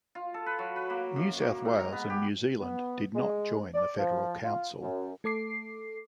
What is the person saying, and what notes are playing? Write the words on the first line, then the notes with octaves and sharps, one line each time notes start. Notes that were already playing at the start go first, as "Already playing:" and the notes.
New South Wales and New Zealand did not join the Federal Council.
F4
A4
B4
F#3
B4
A#3
F#2
A#3
G#2
A#5
B3
G4
B3
G#3
D5
F3
F4
F#2
A3 A4 D6 C7